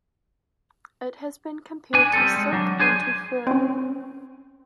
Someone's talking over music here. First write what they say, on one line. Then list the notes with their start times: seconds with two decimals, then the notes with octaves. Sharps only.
It has been compared to silk, and to fur.
1.94 D4 G#5
2.13 G3 C4 A4
2.36 G#3
2.52 F#3 D4
2.80 D4 G#4 C5 G#5
3.47 C4 C#4